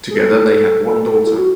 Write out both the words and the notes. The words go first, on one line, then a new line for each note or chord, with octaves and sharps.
Together they had one daughter.
G#4
A4
E4
F#4